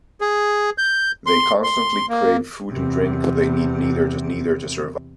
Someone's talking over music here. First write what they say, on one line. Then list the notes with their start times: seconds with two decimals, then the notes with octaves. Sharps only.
They constantly crave food and drink, although they need neither to survive.
0.21 G#4
0.78 G6
1.26 C6
1.64 C6
2.09 A#3
2.72 E2 C3